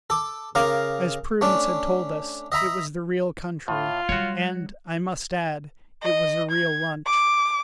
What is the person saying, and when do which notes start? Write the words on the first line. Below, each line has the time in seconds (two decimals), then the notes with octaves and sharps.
As Prudence had told us, it was the real country, and, I must add, it was a real lunch.
0.10 A4 D6
0.55 C#3 A#4 F5 A#5 D6
1.41 A3 C#4 D4
2.52 D#5 E5 A#5 B5
3.68 A2 F4
4.09 F#3 G3 F#4 C#5
6.03 D#5
6.51 G#6
7.06 D6